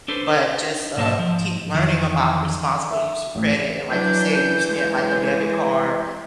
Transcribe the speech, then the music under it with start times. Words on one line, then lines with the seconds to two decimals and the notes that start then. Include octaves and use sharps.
but just, uh, te keep learning about responsible use of credit and like you said, using it like a debit card
0.08 D4 A4 B4 C5
0.97 B1 G#2 A#3 C5 E5 A5
1.16 G#2 F3
1.75 F2 D#3 E3
2.91 E5
3.35 A1
3.90 E3 F#3 D4 G6
4.68 G#3